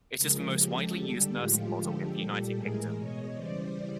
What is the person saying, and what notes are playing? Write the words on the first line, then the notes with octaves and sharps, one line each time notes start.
It is the most widely used nursing model in the United Kingdom.
C#3 F3 G#3 G#4 A#4
C#3 F3 G#3 G4 A4
D3 G3 G4 A4
A2 F3 G#3 F4 G4
D3 F3 G#3 G4 A4
A#2 G3 G4 A4
A2 E3 G#3 G#4 A#4
B2 G#3 C#5 D#5
C#3 E3 G3 C5 D5